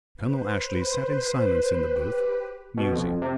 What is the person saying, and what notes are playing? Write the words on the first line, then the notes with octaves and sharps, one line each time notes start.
Colonel Ashley sat in silence in the booth, musing.
B4 C5
G4 B4
B2
F2
C3